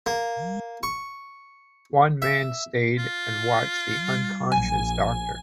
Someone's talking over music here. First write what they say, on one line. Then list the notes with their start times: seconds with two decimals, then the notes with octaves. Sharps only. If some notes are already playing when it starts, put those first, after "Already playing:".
One man stayed and watched the unconscious doctor.
0.06 A#3
0.83 C#6
2.22 E5
2.98 F4
4.52 A#1 G#5